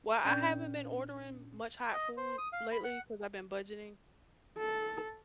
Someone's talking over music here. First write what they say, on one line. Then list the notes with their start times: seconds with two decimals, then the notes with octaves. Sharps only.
well, I haven't been ordering much hot food lately 'cause I've been budgeting,
0.24 A#2 C#4 D4 D5 G5 G6
1.93 D#5
2.17 C5
2.38 D#6
2.53 F5
2.72 B5
2.84 F#5
4.58 A4